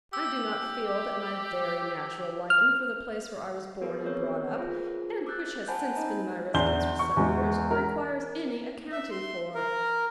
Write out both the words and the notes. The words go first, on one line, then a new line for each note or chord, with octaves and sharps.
'I do not feel that my very natural liking for the place where I was born and brought up,--and which has since been my residence for some years, requires any accounting for.'
G4 E6
F6
B3 F#4 G#4 A#4 B4 F5
B3 C4 A#4 B4 C#5 G6
F4 G#4 C5
D6 E6 F#6 G6 A6
C5 F#5 G#5 A5 B5 G6
C4 D#4 D#5 A#5
E2 D4 C6 G6 G7
C#6
E2 G#3
A#4 F6
E5
C6
A#4